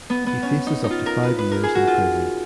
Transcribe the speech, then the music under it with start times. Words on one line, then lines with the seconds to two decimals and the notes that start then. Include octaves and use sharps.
He faces up to five years in prison.
0.10 B3
0.26 B3
0.43 C#4
0.67 D#4
0.84 D#4
0.90 F4
1.06 A#4
1.23 B4
1.39 B4
1.52 A#4
1.63 G#4
1.75 F#4
1.87 F4